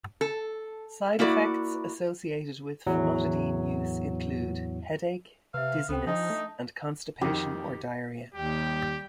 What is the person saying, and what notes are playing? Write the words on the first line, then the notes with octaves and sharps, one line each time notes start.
Side effects associated with famotidine use include headache, dizziness, and constipation or diarrhea.
A4
A#3 E4 F#4 D5
E2 A2 F#3
C3 B4 E5 F5
C#2 B3 A4 C5 G5
F3 D4 D#4 D#5 A5
A3
F2 D#3 G4
D#2 G3 G4 G5